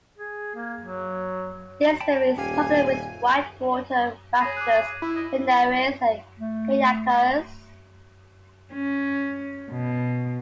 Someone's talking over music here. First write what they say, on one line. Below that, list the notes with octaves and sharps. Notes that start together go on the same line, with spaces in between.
This river is popular with whitewater rafters, canoeists, and kayakers.
G#4
A#3
F#3
G5 A5 B5
D#1 C#4 G4 F5 G#5
G#4 C#5 B5 A#6
D6 F#6
E4
D#5
A3
C#4
B2